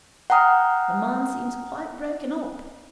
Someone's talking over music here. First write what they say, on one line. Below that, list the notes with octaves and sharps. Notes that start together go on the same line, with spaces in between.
'The man seems quite broken up.
F#5 G5 A#5 D#6 F6